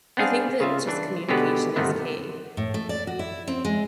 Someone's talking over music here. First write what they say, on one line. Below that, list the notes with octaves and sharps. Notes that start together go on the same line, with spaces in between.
I think that just communication is key.
B3 C4 D4 G#4 F5
C#3 F4 E5
E3 D4
B2 D3 G#3 B3 G4 B4
G1 C3 D#3 A3 B3
A2
A3
D5
F#4
E4
C4
G#3